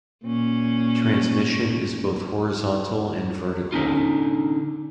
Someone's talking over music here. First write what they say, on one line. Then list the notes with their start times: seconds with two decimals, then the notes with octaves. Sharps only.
Transmission is both horizontal and vertical.
0.24 A#2 C#4
3.72 D3 C#4 D#4 F4